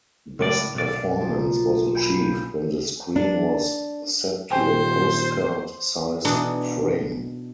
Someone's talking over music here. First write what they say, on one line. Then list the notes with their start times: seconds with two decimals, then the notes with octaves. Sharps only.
Best performance was achieved when the screen was set to a postcard-sized frame.
0.39 C#2 A2 D5
0.75 B1 D5
1.21 A#2 F3
1.95 G5 G#5 B5
3.16 D4
4.51 D#1 C5 G5 G#5
6.25 B2 E3 D4 D#4